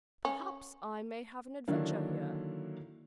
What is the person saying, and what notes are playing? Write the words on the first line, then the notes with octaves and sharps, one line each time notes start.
Perhaps I may have an adventure here.
C#4
D3 D#3 F#3 A#3 D4 E4